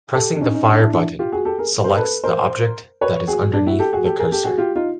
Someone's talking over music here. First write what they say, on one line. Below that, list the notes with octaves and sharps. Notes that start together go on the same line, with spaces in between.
Pressing the fire button selects the object that is underneath the cursor.
G4 A4
D4
C#4 D#4
C#4 D#4
D4
D4 E4
D4 E4
F4 G4
F#4 G#4
G4 A4
G#4 A#4
A#4 C5
A4 B4
A#4 C5
B4 C#5
F#4 G#4
D4
E4 F#4
G4 A4
F#4 G#4
G4 A4
G#4 A#4
G4 A4
F#4 G#4
F4 G4
D#4 F4